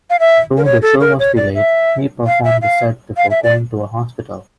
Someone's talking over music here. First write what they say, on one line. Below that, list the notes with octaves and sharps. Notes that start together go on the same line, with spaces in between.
Though the show was delayed, he performed the set before going to a hospital.
F5
E5
A#4
C#5
A4
A#4
C#5
D5
E5
F5
E5
F5
F5
E5
D5